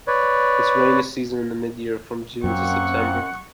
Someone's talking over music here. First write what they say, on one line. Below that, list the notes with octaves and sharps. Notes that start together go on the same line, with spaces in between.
Its rainy season is in mid-year, from June to September.
B4 C#5 D5
F#2 A#3 C4 F#5 C#6